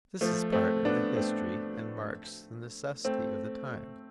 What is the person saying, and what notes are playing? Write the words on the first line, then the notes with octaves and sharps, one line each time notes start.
This is part of the history and marks the necessity of the times.
F3 A3
A3 C4
B3 D4
A3 C4
A3 C4